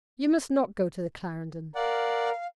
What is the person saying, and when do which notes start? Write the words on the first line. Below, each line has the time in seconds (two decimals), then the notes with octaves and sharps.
'You must not go to the Clarendon.
1.75 A#4 D5 F5 F#5